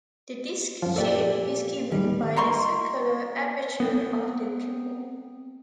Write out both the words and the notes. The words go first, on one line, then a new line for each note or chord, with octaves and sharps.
The disk shape is given by the circular aperture of the pupil.
F#2 F3
A#2 G4 A4 D5
A1 D#2 G3
B2 A#5 C6 C#6
B3 C4